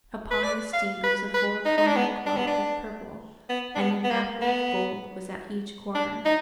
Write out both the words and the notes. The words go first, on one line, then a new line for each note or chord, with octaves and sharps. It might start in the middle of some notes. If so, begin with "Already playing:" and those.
Upon the steed was a four-cornered cloth of purple, and an apple of gold was at each corner.
B4
D5
F5
B4
B4
D#4
D#4
D4
B3
D4
B3
D4
B3
D4
B3
B3
A#3
B3
D4
D#4